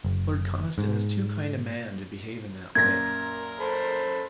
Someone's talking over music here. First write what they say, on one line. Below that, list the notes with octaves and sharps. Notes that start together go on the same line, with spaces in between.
Lord Conniston is too kind a man to behave in that way.
F#1
G#2
F#2 A#2 A#4 G#6 A#6
A4 C5 B5